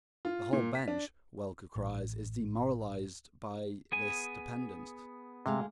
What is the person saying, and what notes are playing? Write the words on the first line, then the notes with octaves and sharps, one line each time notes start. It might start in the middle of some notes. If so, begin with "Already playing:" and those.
The whole bench, Welcker cries, is demoralized by this dependence!
F4
A#2
B6
D4
A1
B3 G#4 G#5
D2 C3 G#3 F5